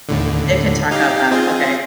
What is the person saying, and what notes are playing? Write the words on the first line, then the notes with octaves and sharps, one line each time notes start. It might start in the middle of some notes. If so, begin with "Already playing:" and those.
It can talk out loud. Okay.
D#2 A2 D3
D#4 G4 F5
C4 F4 G#4